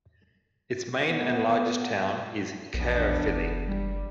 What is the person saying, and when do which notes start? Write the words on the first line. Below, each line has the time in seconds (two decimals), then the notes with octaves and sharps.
Its main and largest town is Caerphilly.
1.10 B3
2.74 A#1 E2 B3 D4
3.27 F#1
3.67 G3